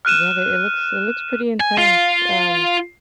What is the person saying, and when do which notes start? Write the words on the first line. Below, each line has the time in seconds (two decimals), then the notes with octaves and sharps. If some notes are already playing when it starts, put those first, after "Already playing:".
Yeah, th it looks it looks pretty intense. Um,
0.05 F6 F#6 D#7 E7
1.60 G#5
1.78 F4